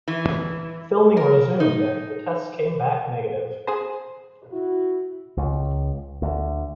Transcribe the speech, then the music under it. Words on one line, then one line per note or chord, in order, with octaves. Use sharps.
Filming resumed after the tests came back negative.
E3
A#4
D#4
G#4 C5
E4 F#4
C#2
D2